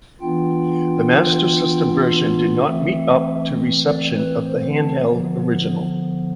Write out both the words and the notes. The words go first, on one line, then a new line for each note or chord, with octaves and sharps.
The Master System version did not meet up to reception of the handheld original.
E3 B3 D4 F4 G5
E3 A3 C4 E5
D5
B4
C5
A5
D3 F3 B3